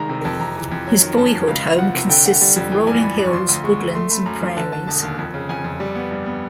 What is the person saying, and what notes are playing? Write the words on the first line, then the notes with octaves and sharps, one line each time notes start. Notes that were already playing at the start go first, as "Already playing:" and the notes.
His boyhood home consists of rolling hills, woodlands, and prairies.
Already playing: C2 D#3 G#3 A#5
C3
F2 A5
F2 A#5
E3
F2
F#3
D#3
F#2 A5
F#3
C#2 F5
C#2
F3 F#5
C3
D3 G5
D3 F#5
G3
F2
E3 G5
G2 G#5
G2 B5
G2
C#6
F3 C6
D2 C6
G#3 C#6
D2
A3 C6
A3 B5
F#2 A#5
F3
D3 A5
D3 A5
E1 A5
D#2
F2
C#3
F2 G#5
F2
G3
B3
G2
B3